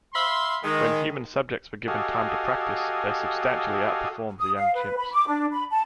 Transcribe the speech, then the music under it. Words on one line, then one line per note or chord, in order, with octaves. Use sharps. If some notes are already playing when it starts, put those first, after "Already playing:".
When human subjects were given time to practice, they substantially outperformed the young chimps.
E5 F5 B5 C6
D#3 G#3
F#4 G4 A4 D#5 F5 G#5
D#6
F5
B4
B5
D6
D4
B5
A5